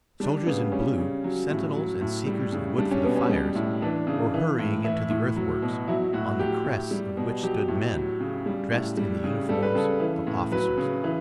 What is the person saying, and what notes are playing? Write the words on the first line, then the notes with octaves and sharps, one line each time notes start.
Soldiers in blue, sentinels and seekers of wood for the fires, were hurrying into the earthworks, on the crests of which stood men, dressed in the uniforms of officers.
G3 D4
C#3 B3
G3 C#4
C#3
F#3
A2
F#3
A2
G3
C#3
G3 D4
C#4
B2 B3
C#4
G3
A2
E3 D4
C#3
E3
A2
E3 E4
A2
F#3
B2
F#3 E4
A2 F#4
F#3 G4
A2
G3
B2
F#3 G4
A2
F#3
C#3
G3
A2
G3
C#3
G3 A4
B4
C#3 A4
E3
A2
F#3 B4
C#3
E3